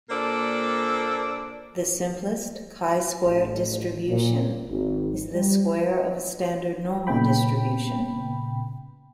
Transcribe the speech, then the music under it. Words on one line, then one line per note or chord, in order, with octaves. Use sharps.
The simplest chi-squared distribution is the square of a standard normal distribution.
A#2 A#3 D4 A4 C5 D5
A1
A#2
G#1
G3
A#2 C#3 B3 G5 B5